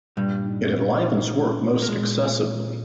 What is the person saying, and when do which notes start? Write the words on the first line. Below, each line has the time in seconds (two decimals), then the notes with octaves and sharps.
It enlivens work most excessively.
0.17 G2 A#2 G3
0.45 D#4
0.74 A#2
1.02 D#4
1.30 D#4
1.59 A#2
1.82 A#3
1.88 A#2 G#3